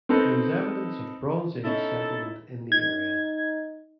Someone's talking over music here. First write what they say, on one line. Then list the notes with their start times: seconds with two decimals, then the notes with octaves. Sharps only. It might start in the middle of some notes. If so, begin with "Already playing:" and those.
There is evidence of Bronze Age settlement in the area.
0.09 C4 D#4 A4 B4 D#5
1.64 C#4 D#4 E4 A4
2.72 D#4 G#6